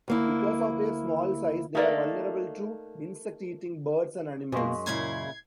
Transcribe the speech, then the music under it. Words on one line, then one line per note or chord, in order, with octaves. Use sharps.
Because of their small size, they are vulnerable to insect-eating birds and animals.
D2 A#3 E4
A3 A#3 D#4 A#4 D5
F#2 B2 G#3 A#3 G#5 C6 C#6
A#2 C#3 E4 G#6 C7